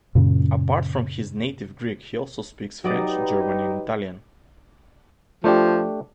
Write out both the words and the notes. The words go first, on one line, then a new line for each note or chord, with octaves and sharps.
Apart from his native Greek, he also speaks French, German and Italian.
F#2 A#2 C#3
F#3 D#4 G4 B4 D5 D#5
F3 A3 D4 G4